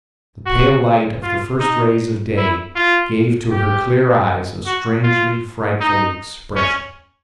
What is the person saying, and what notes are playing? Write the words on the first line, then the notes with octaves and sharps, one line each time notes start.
The pale light of the first rays of day gave to her clear eyes a strangely frightful expression.
F#4
F4
D#4
E4
F4
G4
F#4
F4
D#4
C#4